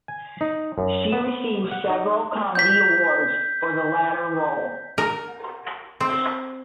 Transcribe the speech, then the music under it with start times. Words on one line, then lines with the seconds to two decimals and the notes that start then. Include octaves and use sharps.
She received several comedy awards for the latter role.
0.08 G#5
0.41 D#4
0.78 F#2
1.12 B3
1.71 F#5
1.89 D#4
2.55 G6 B6
4.98 A#4
6.00 C4